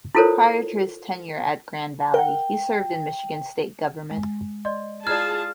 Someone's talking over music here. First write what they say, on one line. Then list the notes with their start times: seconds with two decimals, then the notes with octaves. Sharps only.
Prior to his tenure at Grand Valley, he served in Michigan state government.
0.15 E4 F4 A4 A#4 C5 C#5
2.14 A#4 F#5 G5
4.11 G#3
4.65 D5 D#5 C6
5.07 E4 F4 G#4 C5 D5 A5 F6 G#6